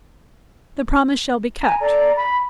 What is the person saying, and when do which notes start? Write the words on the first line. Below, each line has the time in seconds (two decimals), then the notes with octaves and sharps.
'The promise shall be kept.
1.64 G#5 A#5 B5
1.80 A4 D5 A#5
2.15 B5